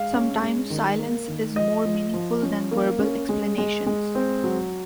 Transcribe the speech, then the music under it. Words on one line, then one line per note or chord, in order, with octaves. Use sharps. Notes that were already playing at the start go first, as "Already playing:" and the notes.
Sometimes silence is more meaningful than verbal explanations.
Already playing: G#3 F5
C#4
G#3
D#3
A#3
D#3
F3 D#5
F3
F3
C#4
A#3
C#4
G#3
G#3
G#3
C4
F#3